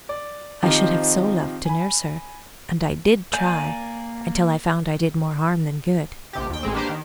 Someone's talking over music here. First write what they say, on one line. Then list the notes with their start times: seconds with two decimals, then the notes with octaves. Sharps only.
I should have so loved to nurse her; and I did try, until I found I did more harm than good.
0.09 D5
0.62 D#3 F3 C4 D#4 G4
1.66 G#5 B5
3.33 A#3 D5 G#5 G6
6.33 A#1 C3 G4
6.50 D#2 G5
6.63 A1 G#3 C4
6.74 A#3 D4 G4 B4 C5
6.89 D#3